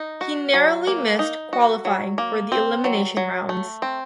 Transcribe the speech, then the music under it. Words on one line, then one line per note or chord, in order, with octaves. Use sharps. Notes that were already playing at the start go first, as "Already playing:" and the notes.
He narrowly missed qualifying for the elimination rounds.
Already playing: D#4
F#4
F#3
A#3
D#4
F#4
F#3
A#3
C4
F#3
F#3
A3
C4